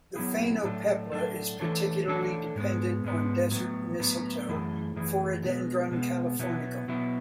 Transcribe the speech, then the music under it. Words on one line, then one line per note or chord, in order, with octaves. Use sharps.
The phainopepla is particularly dependent on desert mistletoe, "Phoradendron californicum".
F#3 B3 E4 G#4
A2 F#3 A3 D4 A4
A2 F#3 A3 D4 A4
E3 A3 D4 A4 C#5
E3 A3 D4 A4 C#5
G#2 G#3 B3
G#2 G#3 B3
A2 F#3 B3
A2 F#3 B3
F#2 E3 A3 E4 G#4
F#2 E3 A3 E4 G#4
B2 G#3 B3
B2 G#3 B3
B2 F#3 B3 E4
B2 F#3 B3 E4